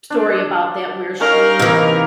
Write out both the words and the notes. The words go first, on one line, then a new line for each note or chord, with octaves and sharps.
story about that where she
D4
C#4 D#4 A#4 F5
C3 E3 A#3 D#4